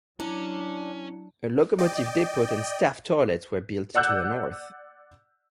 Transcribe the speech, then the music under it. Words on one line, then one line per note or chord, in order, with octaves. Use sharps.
A locomotive depot and staff toilets were built to the north.
F#3 C#4 D4 E4
D5 D#5 G5
D5 F#5 E6 F#6 G6